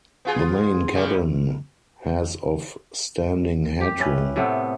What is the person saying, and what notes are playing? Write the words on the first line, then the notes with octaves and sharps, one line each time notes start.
The main cabin has of standing headroom.
B3 F4 G#4
C#3 G3 G#3
G4
C#4 E4 B4
A2 C3 A3 B3